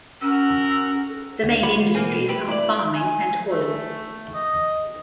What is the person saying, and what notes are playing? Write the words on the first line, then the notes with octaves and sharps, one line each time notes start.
The main industries are farming and oil.
C#4 F#4 A#4 F#5 E6
D2
F4 G4 C#5 F#5 B5
F4
B2 E3 A#3 C4 G#4
A3 G4 B4
E4 D5
G#5
A3
D#5